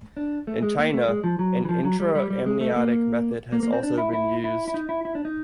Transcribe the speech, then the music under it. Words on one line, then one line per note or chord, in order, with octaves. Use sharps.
In China, an intra-amniotic method has also been used.
D4
A3
G#3
A#3
A3
G#3
F3
F#3
E3
F3
F#3
G3
G3
G3
G#3
A3
A#3
A#3
A#3
C4
D4
E4
E4
E4
E4
D#4
E4
E4
D4
D#4